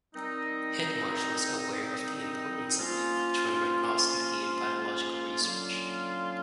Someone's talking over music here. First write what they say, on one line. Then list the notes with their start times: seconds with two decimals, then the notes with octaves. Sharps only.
Hindmarsh was aware of the importance of electron microscopy in biological research.
0.13 D#3 G3 C4 D#4
2.76 F3 A#3 C#4 F4
5.40 D3 F#3 A#3 C#4 F4